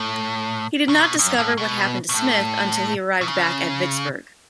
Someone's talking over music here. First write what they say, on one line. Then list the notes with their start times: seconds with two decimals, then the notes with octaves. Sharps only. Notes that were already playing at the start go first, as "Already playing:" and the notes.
He did not discover what happened to Smith until he arrived back at Vicksburg.
Already playing: A2
0.89 C#3
1.00 B2
1.19 F#2
1.38 A2
1.57 B2
2.09 B2
2.13 A2
3.21 B2
3.28 C#3